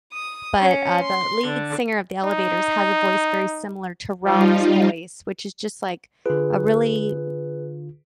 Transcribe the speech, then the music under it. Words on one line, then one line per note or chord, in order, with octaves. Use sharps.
but, uh, the lead singer of The Elovators has a voice very similar to Rome's voice, which is just, like, a really
D#6
C#4
C6
D3
D#4
F3 G3 D#4 F4
D3 F4 G#4 B4